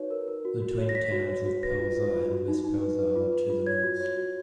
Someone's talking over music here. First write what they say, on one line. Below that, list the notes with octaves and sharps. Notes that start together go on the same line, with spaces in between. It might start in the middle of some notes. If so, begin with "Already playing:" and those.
The twin towns of Pelzer and West Pelzer are to the north.
Already playing: D#4 F#4 B4 C#5
A#4
A#4
F#4
F#4
C#5
A#6
C#5 B6
F#4
C#5
F#4
B4 A#6
F4
B4
F4
F#4
D#4
D#4
B4
B4
F4
B4
F4
C#5 G#6
F#4
C#5
F#4